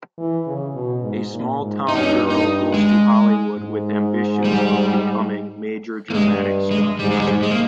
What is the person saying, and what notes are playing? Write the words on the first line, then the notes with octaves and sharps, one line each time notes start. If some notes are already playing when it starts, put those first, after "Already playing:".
A small town girl goes to Hollywood with ambitions of becoming major dramatic star.
E3
C#3
B2
G#2
A#2
G#2
G2 D#4
C#4
D#4
D#4
G#3
G#2
G3
A#3
G2 G#3
G#3
G#2 G3
G#3
G3
G#2
G#3
A#3